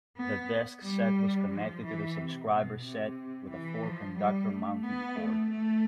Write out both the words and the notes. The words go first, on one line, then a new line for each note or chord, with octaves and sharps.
The desk set was connected to the subscriber set with a four-conductor mounting cord.
B3
G3
F3
E3
C3
B2
C3
E3
F3
G3
A3
B3
A3
A3